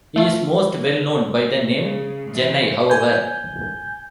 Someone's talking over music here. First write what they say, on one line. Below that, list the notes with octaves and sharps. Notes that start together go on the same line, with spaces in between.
He is most well known by the name "Gennai", however.
A3 F4
C#3
E3 C4
G#5 G6